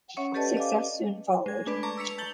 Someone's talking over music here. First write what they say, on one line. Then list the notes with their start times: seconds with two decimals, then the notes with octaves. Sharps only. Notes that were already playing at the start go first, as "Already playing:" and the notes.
Success soon followed.
0.17 C#4 C#5 E5 F#5
0.34 G4 A4 B4 D5 D#5 A5
0.57 D#5 F5 G#5 D6
1.46 G#3 G#6
1.66 A3 D4 B4 D5
1.83 A5 A#5 C#6 D6
1.97 E6 B6 C#7 F7
2.18 A5 G6 A6 F#7 G7